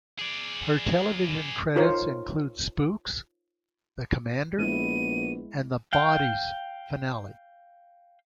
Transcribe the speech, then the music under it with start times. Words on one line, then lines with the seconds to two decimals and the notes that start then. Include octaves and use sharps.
Her television credits include "Spooks", "The Commander" and the "Bodies" finale.
0.19 G#4 D5
1.76 D#4 F4 A#4 C5 C#5
4.59 A#1 G#3 B3 E4 D#7
5.93 F5 G5